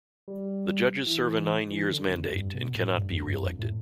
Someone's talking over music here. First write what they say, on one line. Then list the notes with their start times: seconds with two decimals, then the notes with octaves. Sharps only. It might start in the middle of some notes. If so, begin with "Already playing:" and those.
The judges serve a nine years mandate and cannot be re-elected.
0.28 G3
1.06 E3
1.70 E3
1.91 D3
2.12 F2
2.33 G2
2.54 B2
2.75 A2
2.96 G2
3.12 F2
3.27 G2
3.43 F2
3.59 A2